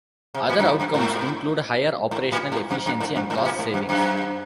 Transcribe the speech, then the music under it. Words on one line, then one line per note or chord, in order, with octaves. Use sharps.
Other outcomes include higher operational efficiency and cost savings.
C3
A2
F#2
G#2
F#2
G#2
G#2
A2
G#2
F#2
F#2
G#2
F#2
G#2
C3
A2
G#2
F#2
F#2